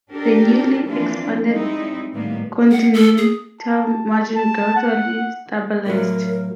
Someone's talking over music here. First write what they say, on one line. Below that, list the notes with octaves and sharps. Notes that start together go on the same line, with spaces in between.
The newly expanded continental margin gradually stabilized.
D4 G4 A4 A#4
E3 F3 A#3 C4 D4 F4
G3 G#3 C4 D#4 E4
A2 D#3 G3 A#3 B3
F#5
A4
G#4
A5
A5
F#5
A2 F#3 A#4